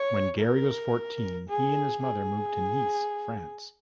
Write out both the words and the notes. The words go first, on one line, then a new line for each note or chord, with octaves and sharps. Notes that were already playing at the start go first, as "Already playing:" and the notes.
When Gary was fourteen, he and his mother moved to Nice, France.
Already playing: C#5
A#4
G#4
G#4